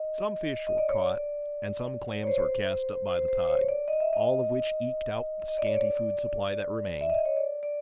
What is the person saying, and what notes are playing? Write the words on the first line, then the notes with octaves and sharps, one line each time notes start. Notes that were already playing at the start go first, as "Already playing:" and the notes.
Some fish were caught, and some clams were cast up by the tide, all of which eked out the scanty food supply that remained.
Already playing: D#5
D#5
D5
C#5
D5
C#5
C5
C5
C5
C5
C#5
D5
D#5
E5
D#5
D#5
D5
C#5
D5
E5
D#5
C#5
D5
D5